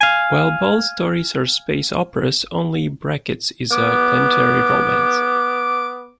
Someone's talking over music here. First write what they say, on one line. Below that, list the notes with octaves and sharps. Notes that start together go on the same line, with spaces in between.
While both stories are space operas, only Brackett's is a planetary romance.
F5 G#5
B3 D6